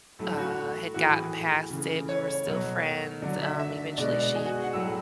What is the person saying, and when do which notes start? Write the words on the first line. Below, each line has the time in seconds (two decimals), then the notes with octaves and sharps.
uh, had gotten past it, we were still friends, um, eventually she
0.19 A2 F#3 A3 A4
0.38 F#4
0.94 A2 E3 A3 F#4
1.14 G#4
1.70 C#3 E3 A3
2.09 C#5
2.28 C#5
2.47 B2 F#3 A3
3.22 D3 F#3 A3 D5
3.42 E5
3.59 E5
3.98 B2 G#3 D5
4.36 G#4
4.45 F#4
4.64 F#5
4.73 A2 F#3 A3 E6